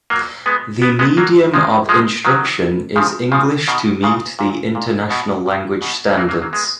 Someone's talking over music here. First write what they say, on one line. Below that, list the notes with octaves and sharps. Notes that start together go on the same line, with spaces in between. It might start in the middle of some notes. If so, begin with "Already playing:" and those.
The medium of instruction is English to meet the international language standards.
F#3 A#3
G#3 B3
B3
G#3 B3
F#3 A#3
F3 G#3
F3 G#3
D#3 F#3
C#3 F3
C#3 F3
B2 D#3
A#2 C#3
A#2
A#2
B2
A#2
B2
F#3 A#3
F#3 A#3
F#3 A#3
G#3 B3